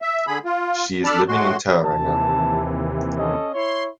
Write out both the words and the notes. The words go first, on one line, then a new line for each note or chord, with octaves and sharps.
She is living in Tauranga.
E5
D3 G#4 B5
F4
D4 A4 D5 A5 B5 F6
A2 G#3 F#4 C6
D#2 C3 E3 A5
C#4 A4 D#5
E4 C#5 C6